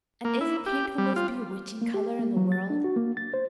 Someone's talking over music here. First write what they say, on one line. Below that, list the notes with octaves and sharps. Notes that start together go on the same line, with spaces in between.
And isn't pink the most bewitching color in the world?
A#3
E4
G4
G3
F4
A#3
G4
A#3
F#3
A6
D4
F#4
A#3
A6
C5